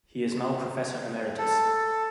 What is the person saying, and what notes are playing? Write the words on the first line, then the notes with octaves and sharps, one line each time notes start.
He is now professor emeritus.
A4